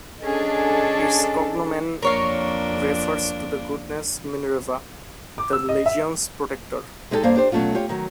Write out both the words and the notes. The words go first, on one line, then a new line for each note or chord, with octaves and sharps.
Its cognomen refers to the goddess Minerva, the legion's protector.
C#4 D4 G#4 A4 D#5
F2 A#3 D4 A#4 C#5 F5
D6
E6
D#5
E5
G#3 D#4 E4 G4 A4
G2 A#3 C5 F5
D4 G4 C5
B2 F#3 A3 C#4 F4
F4 G4 C#5
D#3 F#3